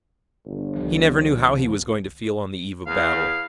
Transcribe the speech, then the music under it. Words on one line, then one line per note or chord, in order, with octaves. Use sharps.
He never knew how he was going to feel on the eve of battle.
G1
C#2 D#3 F3
E2 F5